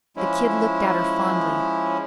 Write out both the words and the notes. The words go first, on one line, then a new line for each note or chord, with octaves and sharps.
The Kid looked at her fondly.
F3 G#3 C#4 E4